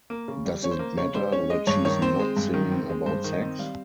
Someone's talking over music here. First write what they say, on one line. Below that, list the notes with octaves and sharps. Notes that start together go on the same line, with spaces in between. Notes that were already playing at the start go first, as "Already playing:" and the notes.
Does it matter that she's not singing about sex?
A#3
C#3
G3
C#4 C#5
C5
A#3
C#3 C#5
G3 C5
C#4 C#5
G#3 D#5
G2 C#5
D#3 C#5
C4 C5
G#3
G2
D#3
C4
G#3
G2 C5
D#3
D#5
C4
G3 F5